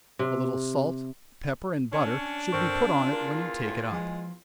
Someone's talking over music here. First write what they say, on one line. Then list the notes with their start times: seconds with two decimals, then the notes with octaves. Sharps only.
A little salt, pepper, and butter, should be put on it when you take it up.
0.19 C3
1.92 C#4 D4
2.52 G2 C4 A4 A#4 C5 C#6
2.88 E2 C#4 F4
3.13 A#4
3.65 A2
3.92 F3 G#3